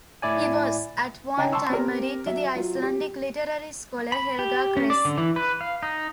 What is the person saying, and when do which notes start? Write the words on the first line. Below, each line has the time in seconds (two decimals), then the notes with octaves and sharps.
He was at one time married to the Icelandic literary scholar Helga Kress.
0.22 A2 E4 D5 G#5
1.37 C#3 C#5 D#5 G5 G#5 A#5
1.52 A5 C6 C#6 E6
1.70 C4 G4 A#4
2.26 F#3 E5
2.55 F#3 F4
2.82 G4
4.12 B5
4.39 G4
4.77 C#4
4.90 D5
5.05 D3
5.18 E3
5.36 B4
5.61 F5
5.83 D#4